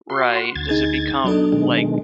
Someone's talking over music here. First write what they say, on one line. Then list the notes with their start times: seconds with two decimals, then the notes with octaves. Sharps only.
Right, does it become, like,
0.10 F#4 C6
0.55 D2 G#6 A6
0.69 D#4 G#4
1.25 F#3 D4 D#4 A4
1.52 B2 D#3 G#3